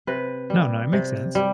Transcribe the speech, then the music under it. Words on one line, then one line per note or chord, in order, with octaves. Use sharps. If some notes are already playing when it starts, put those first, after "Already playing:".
No, no. It makes sense.
C3 B4
G3
C3
G3